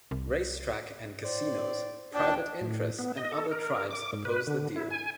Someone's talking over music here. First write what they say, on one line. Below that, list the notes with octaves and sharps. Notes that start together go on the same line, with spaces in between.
Race track and casinos, private interests and other tribes opposed the deal.
C2
A2 C5 D5
D#2 A#2 D4 G5
A2
B3
D#5
A4
A#4
D6
G#2
B4
D3
E4
G#5